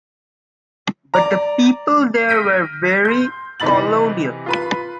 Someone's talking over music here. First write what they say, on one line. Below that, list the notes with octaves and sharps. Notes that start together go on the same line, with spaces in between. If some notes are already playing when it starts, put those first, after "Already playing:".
But the people there were very colonial.
D5 A#5
F6 G6 A#6 B6 D7 D#7
C6 G6
C3 E3 D#4 B5 A6 F#7
F4 B4 B5